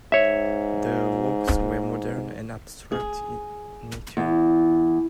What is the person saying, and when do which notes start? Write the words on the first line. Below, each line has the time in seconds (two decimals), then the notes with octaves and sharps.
The works were modern and abstract in nature.
0.12 G#2 C#5 E5
2.92 G#4
4.17 E2